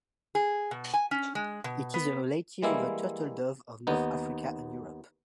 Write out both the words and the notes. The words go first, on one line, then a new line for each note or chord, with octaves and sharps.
It is a relative of the turtledove of North Africa and Europe.
G#4
B2
G#5
C#4
G#3
B2
B3
E3 G3 G#3 A#3 E4
D#2 B3 D#4